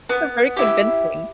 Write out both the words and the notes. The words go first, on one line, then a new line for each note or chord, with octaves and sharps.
You're very convincing.
B3
E4 G4